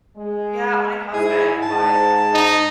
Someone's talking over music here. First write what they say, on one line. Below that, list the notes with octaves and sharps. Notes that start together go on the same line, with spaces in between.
Yeah, my husband, but
G#3
G#2 E4 G#4
G#2 A5
D#4